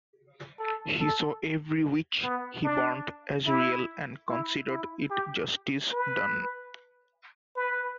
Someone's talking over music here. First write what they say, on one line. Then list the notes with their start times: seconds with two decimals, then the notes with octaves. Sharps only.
He saw every "witch" he burned as real, and considered it justice done.
0.59 A4
1.00 A4
2.23 B3
2.64 D4
3.46 E4
4.28 E4
4.69 E4
5.10 G4
5.92 B4
7.56 B4